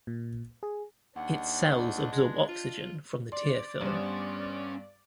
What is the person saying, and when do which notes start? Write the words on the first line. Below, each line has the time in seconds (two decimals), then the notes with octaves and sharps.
Its cells absorb oxygen from the tear film.
0.07 A#2
0.63 G#4
1.16 D#2 D4 D#5 F#5
2.12 G#3
2.48 F4
3.32 D5 C6
3.81 G2 B3 C#4 C5